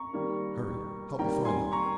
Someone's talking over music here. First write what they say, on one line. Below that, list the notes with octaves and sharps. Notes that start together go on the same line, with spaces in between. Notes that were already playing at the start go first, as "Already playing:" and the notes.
"Hurry, help me find them."
Already playing: A#5 C#6
D#3 G3 A#3
D#3 G3 A#3 G5 A#5
G#5 C6
A#5 C#6